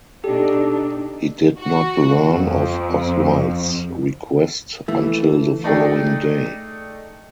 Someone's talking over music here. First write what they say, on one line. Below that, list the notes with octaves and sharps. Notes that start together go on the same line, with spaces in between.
He did not learn of Oswald's request until the following day.
B2 D4 D#4 G4 A4
F#4
F2
E3 A3
A3 D#4 G#4 D5 D#5 G5